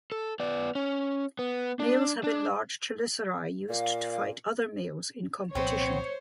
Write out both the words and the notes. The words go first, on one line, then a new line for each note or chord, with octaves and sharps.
Males have enlarged chelicerae used to fight other males in competition.
A4
B3 D5
C#4
B3
D4
D4
A#2 F5
C2 A#2 F3 B3 C4 C5 C#5